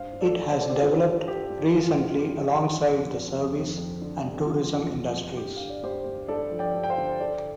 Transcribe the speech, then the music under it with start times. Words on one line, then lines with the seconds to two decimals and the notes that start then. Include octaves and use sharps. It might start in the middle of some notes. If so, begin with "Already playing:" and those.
It has developed recently alongside the service and tourism industries.
Already playing: G2 C5 F5
0.13 G2
0.21 A4 D5
0.36 G2
0.52 C5
0.59 G3 D5
0.70 G4 C5
0.81 G2 F4 A4
1.05 G3
1.27 G3 G4
1.50 G2
1.73 F3 F4
1.96 F3
2.10 F4
2.18 D3 G4
2.41 F3
2.65 D3
2.87 F2
3.10 F2
3.33 F2
3.56 F2
3.78 F2
4.02 D3
4.24 G3
4.46 F2 F4
4.69 F2
4.92 F2
5.16 G3
5.37 G2 G4
5.57 D3 F5
5.70 D5
5.83 G2 G4 C5
6.06 G2
6.28 G2 A4 D5
6.51 F3
6.59 D5 G5
6.75 G2
6.84 G5
6.90 C5 F5
6.98 D3
7.20 D3 A4 D5